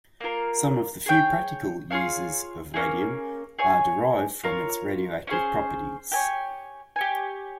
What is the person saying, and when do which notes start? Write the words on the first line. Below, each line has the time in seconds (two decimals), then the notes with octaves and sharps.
Some of the few practical uses of radium are derived from its radioactive properties.
0.21 A#3 F4 A#4
1.06 G#4 C#5 G5
1.91 F4 G#4 C#5 F5
2.74 A#3 C#4 G#4
3.59 G#4 C#5 G#5
4.44 F4 A#4 C#5
5.27 C#4 F4 G#4 C5
6.11 G4 C#5 G#5
6.96 G4 C#5 G#5